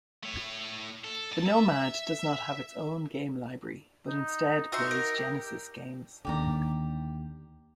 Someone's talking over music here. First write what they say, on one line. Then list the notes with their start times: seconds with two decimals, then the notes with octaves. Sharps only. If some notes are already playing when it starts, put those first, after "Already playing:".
The Nomad does not have its own game library, but instead plays Genesis games.
0.23 A3 C#5
1.04 A4
1.31 G2 A5
1.46 E5
4.07 D#4
4.72 D#4 F#4 E5 C6
4.91 A#4
5.17 G4
6.25 D#2 D3 G4 D5 A#5